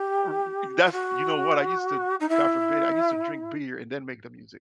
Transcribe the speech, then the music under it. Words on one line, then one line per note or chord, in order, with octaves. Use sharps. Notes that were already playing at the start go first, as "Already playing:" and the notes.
R r that's, you know what, I used to, God forbid, I used to drink beer and then make the music
Already playing: G4
F4
F#4
D#4
E4